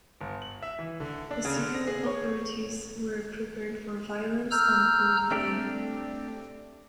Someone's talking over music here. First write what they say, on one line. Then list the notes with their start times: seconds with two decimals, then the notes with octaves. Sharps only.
The civil authorities were prepared for violence on polling day.
0.21 G1
0.42 F#7
0.63 E5
0.79 E3
1.00 D3
1.31 D4
1.45 C#3
1.56 D3
1.75 A#6
1.87 G#4
2.06 C#5
4.51 A#5 E6 F6 G6
5.31 A3 C4 D4 G4